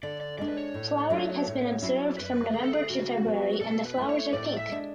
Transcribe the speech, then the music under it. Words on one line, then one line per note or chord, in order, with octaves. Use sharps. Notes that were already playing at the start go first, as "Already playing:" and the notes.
Flowering has been observed from November to February and the flowers are pink.
D3 D5
D5
G#3 D4 D5
B4
C#5
A2
F#3 A3 D4
A2
F#3 C#4 E4
F#2 B4
D3 A3 G#4
A4
G#4
C#3 F#4
F#3 B3 D4
B2 A4
B4
A3 E4
C#5
A2 D5
D5
E5
G#3 D4